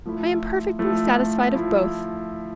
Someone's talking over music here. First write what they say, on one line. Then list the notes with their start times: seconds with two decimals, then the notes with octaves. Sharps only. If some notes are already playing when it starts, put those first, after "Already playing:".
"I am perfectly satisfied of both."
0.05 F3 A3 E4
0.79 F3 A3 E4
1.54 F3 A3 E4